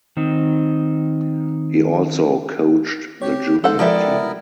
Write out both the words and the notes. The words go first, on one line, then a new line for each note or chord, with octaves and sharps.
He also coached the junior team.
D#3 C4 D#4
C4 G4 C#5
G#3 D#4 A4 C5 F#5
F3 B3 E4 A4 A#4 D5 E5 G5